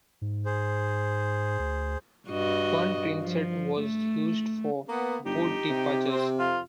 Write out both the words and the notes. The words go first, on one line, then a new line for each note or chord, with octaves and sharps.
One trainset was used for both departures.
G#2
G#4 C5
D2
G2 F#4 D#5
F3
A3
A#3 B3
G1 D#4 G4
C3
C4
F2 F4